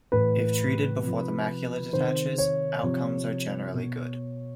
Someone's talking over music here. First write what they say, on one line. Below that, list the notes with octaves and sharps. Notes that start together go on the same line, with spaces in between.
If treated before the macula detaches outcomes are generally good.
A2 E3 B4
C3 F3
C3 D#3 C5
C#5
C3 F3
B2